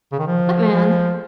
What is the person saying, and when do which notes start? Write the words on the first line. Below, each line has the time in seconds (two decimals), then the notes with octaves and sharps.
"What man?"
0.12 C#3
0.19 D#3
0.27 F3
0.70 F3